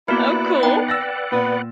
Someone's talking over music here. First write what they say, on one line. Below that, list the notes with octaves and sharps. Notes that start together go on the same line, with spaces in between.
Oh, cool.
A#3 B3 E4 F#4 B4 D5 F#5 D6
B3 D#4 G5
E6 A6 A#6
A#2 B3